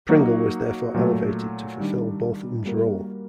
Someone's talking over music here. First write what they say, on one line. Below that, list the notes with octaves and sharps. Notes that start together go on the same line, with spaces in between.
Pringle was therefore elevated to fulfill Botham's role.
F#3 A#3 D#4 F#4
A#2 F#3 A3
D#3 G3 D4
G3 A#3 F#4 A#4